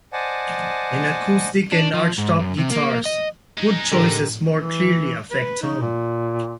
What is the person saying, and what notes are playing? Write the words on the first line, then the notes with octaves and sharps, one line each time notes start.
In acoustic and archtop guitars, wood choices more clearly affect tone.
C5 D5 D#5 F#5 G#5 A5
D4
F3
G#2
F#2
C3
A#3
D#5
G#3 D#4
A2 D3 G4 A#4
E3
B4
D#4
A#2